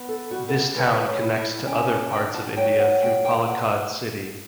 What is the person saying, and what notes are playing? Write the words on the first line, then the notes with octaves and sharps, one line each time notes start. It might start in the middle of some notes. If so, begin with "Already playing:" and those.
This town connects to other parts of India through Palakkad city.
Already playing: B3
A4
G3 F#4
A4
G4
A3 B4
C#5
E4
E5
C#4 G5
A5
D3 G5
A5
F#3 G5
F#5
A3 G5
G5
B2 F#5